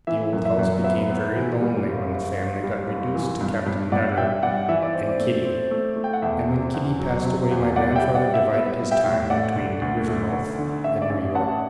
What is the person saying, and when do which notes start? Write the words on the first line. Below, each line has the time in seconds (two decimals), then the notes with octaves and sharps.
The old house became very lonely when the family got reduced to Captain Nutter and Kitty; and when Kitty passed away, my grandfather divided his time between Rivermouth and New York.
0.07 E3 E5
0.33 F#2
0.45 E5
0.59 F#2
0.84 B3 E5
1.10 B3
1.36 E3
1.61 G3
1.87 F#1
2.12 F#1
2.38 F#1
2.63 G3
2.89 F#1
3.15 E3
3.41 G2
3.66 G2
3.92 G2 D5 F#5
4.17 G2 E5 G5
4.43 G2 D5 F#5
4.68 E3 E5
4.82 D5
4.94 C4
5.09 D5
5.20 A3
5.45 C4
5.71 A3
5.96 A3
6.04 G5
6.13 F#5
6.22 E2 E5
6.49 C3
6.74 E2
6.99 F#3
7.25 C3
7.51 E2
7.76 G3 D5 F#5
7.96 E5 G5
8.02 G3
8.15 D5 F#5
8.28 G3
8.34 E5
8.53 B3 E5
8.79 G3
8.91 E5 G5
9.04 A2
9.30 A3 D5 F#5
9.56 D2
9.81 D2
10.07 A3
10.33 D2
10.59 D3
10.84 A1 E5
11.02 D5
11.10 A1 E5
11.35 A1 F#5 A5